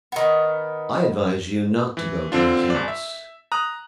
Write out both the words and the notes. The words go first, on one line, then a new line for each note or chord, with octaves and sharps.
I advise you not to go to his house.
D#3 B3
E3
D3 C4 D4 F4
G1 D5
E5
A#5 D#6 F#6